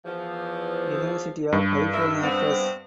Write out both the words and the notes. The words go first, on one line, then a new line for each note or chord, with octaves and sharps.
University of California Press.
E2 F3
G2
A#4 E5
B3 C4